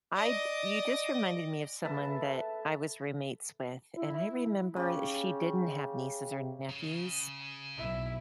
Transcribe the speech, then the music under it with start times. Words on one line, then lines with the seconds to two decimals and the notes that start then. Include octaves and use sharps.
I d you just reminded me of someone that I was roommates with, and I remember i she didn't have nieces or nephews.
0.15 D5 D#5
1.84 A4 B4 E5 A5
3.97 E4
4.76 C#3 G4
6.70 C#3
7.77 B1 E4